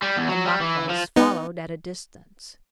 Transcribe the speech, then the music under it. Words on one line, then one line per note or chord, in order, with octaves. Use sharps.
The Maquas followed at a distance.
G3
E2
F#3
G3
E3
F3
B3 D#4